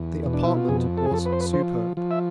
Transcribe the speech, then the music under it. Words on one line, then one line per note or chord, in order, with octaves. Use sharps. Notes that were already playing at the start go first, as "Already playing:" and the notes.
The apartment was superb.
Already playing: E2
B2
D4
E4
F4
F2 G#4
A4
G#4
F2 A4
B4
C5
B4
F3 C5
F3
E5